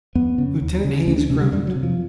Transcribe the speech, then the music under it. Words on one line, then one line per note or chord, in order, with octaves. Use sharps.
Lieutenant Haines groaned.
F2 B3
C#3
D#2
C#3
D2 C#4
D4
C3 C#4
G3
F2 G3
F#3
C3
F3